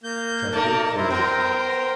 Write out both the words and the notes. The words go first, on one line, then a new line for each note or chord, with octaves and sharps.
Chapter IV.
A#3 G6
A3 D#4 A#4 D5 A5
E4 A#4 C5
B3 A#4 C5 G5